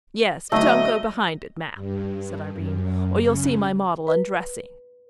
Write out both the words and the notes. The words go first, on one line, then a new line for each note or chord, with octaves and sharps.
"Yes, but don't go behind it, Mapp," said Irene, "or you'll see my model undressing."
D2 F#3 A3 D#5
G2
F#2
C#3
B4